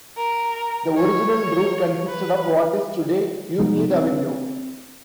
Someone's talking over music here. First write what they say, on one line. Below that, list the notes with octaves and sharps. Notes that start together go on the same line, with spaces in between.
The original route consisted of what is today Euclid Avenue.
A#4
C#5
B4
C3 F3 G3 G#3 B3 D#4
C4